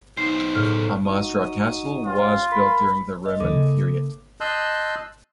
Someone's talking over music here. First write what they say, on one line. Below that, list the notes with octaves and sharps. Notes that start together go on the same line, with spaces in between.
Amasra Castle was built during the Roman period.
B1 D#4 C5 C7
A2 F6
D#4 F#4 D#6
C#4 F4 G4
A#4 B5
D#5
D#2 D#3 A#3 A4 D6
C#3
D#5 A5 C6 E6 F#6 G6